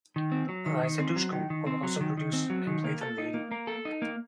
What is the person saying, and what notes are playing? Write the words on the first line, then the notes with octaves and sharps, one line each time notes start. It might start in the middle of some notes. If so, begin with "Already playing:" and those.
Eliza Dushku will also produce and play the Lady.
D#3
C4
F#3
D#3
D#3
C4
F#3
D#3
D#3
C4
F#3
D#3
D#3
C4
F#3
D#3
A#3
A4
D#4
A#3
A#3
A4
D#4
A#3